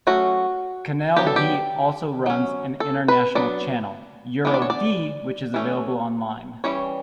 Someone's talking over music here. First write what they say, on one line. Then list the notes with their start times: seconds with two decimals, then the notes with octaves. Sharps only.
Kanal D also runs an international channel, Euro D which is available online.
0.07 F#3 A3 C#4 F#4
1.16 F#3 B3 D4 G4
1.27 A4
1.36 G4
2.26 F#3 C#4
2.80 A4
3.08 B4
3.35 F#3 B3 D4 D5
4.45 E3 B3 D4
4.54 D5
4.62 C#5
4.70 D5
5.54 E3 A3 C#4
6.64 E3 G3 C#4 C#5